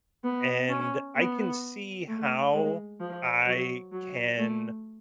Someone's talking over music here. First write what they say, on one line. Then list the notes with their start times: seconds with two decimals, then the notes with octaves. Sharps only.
and I can see how I can
0.24 B3
0.69 C#4
1.16 B3
2.08 A3
2.54 G#3
3.00 F3
3.46 F#3
3.92 F#3
4.39 A3